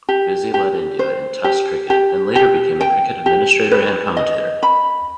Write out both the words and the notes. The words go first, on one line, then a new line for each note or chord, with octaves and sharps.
Vizzy led India in Test cricket and later became a cricket administrator and commentator.
G4
G4
C5
G4
G4
G4
G5
G4
B4
D#5
B5